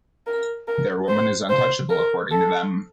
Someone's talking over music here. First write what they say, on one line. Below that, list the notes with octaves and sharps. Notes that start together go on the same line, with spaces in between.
Their woman is untouchable according to them.
A#4
A#4
C5
C5
A#4
A4